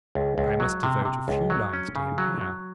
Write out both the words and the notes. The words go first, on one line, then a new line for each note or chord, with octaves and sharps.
I must devote a few lines to him here.
C#2
C#2
F#3
C3
C3
C#2
F#3
C#4
C#3
F#3
F#3